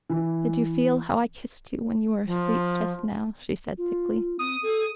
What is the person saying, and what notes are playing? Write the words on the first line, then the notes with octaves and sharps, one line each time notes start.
"Did you feel how I kissed you when you were asleep just now?" she said thickly.
E3
F3
F4
C4 D#6
A4